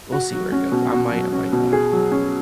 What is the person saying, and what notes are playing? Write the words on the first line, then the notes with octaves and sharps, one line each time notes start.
we'll see where it goes. I might, I might not
F#4
F#3
C#4
B2
F#4
F#3
C#4
B2
G#4
F#3
C#4